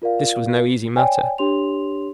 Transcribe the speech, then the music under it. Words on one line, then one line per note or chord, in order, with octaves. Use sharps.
This was no easy matter.
F4 A#4 D5 F5
C#5 D5 G5 G#5
D4 G4 C#5 C6 F7